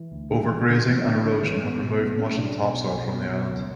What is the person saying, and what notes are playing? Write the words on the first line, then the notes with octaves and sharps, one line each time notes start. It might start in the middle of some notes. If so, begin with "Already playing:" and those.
Overgrazing and erosion have removed much of the topsoil from the island.
Already playing: E3
D2
A2 D3
D3
A1 E3
A1 D3
A2 E3
A2 D3
A1 D3
A1 E3
C#4
A2 B3
B2
B1 B3
B1 C#4
B2 D4
B2
B1
B1
B2
B2
C#2